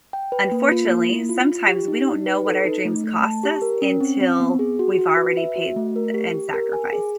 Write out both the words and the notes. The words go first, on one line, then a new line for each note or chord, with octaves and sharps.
unfortunately, sometimes we don't know what our dreams cost us until we've already paid and sacrificed.
G5
B4
A#3
F4
A#3
E4
F4
F4
G4
D#4
D#4
B4
A4
D#4
A3
A3
A5
G4
A#4
C#4
C4
C4
B3
G#4
F#4
F#4
B4
E5
F#4
A3
A#4
G4
G4
A#4
G#5
G#4